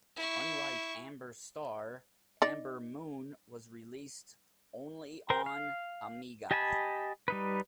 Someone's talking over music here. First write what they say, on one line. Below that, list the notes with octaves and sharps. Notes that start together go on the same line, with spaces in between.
Unlike Amberstar, Ambermoon was released only on Amiga.
E4 C#6
D#4 D5
A#4 C5 G5
F5
G4 D#5 G#5 A5 B5
G3 D#4 B4